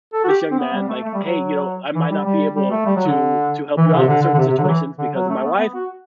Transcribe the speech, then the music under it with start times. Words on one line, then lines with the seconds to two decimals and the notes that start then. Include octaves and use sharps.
this young man like, "Hey, you know, I might not be able to to help you out in certain situations because of my wife.
0.13 A4
0.24 F#4
0.28 G4
0.51 C4
0.59 B3
0.74 G3
0.89 A3
1.04 A3
1.14 G3
1.24 F#3
1.95 E3
2.11 G3
2.26 G3
2.56 G3
2.71 A3
2.86 G3
2.96 F#3
3.06 D3
3.78 E3
3.88 E3
3.93 D3
3.97 C3
4.08 D3
4.22 D3
4.34 D3
4.38 C3
4.48 C3
4.59 D3
4.63 F#3
4.68 E3
4.98 D3
5.15 F#3
5.29 A3
5.44 B3
5.59 B3
5.74 F#4